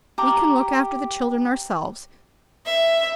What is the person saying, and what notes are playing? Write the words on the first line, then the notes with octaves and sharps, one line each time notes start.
We can look after the children ourselves.
G4 A#5 D6
E5